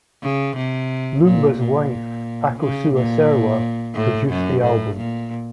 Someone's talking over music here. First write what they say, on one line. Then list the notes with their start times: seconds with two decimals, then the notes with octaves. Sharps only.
Lumba's wife, Akosua Serwa, produced the album.
0.22 C#3
0.57 C3
1.24 A#2
1.58 A#2
2.60 C#3
2.94 A#2
3.95 A2
4.29 F#2
4.62 A2
4.96 A#2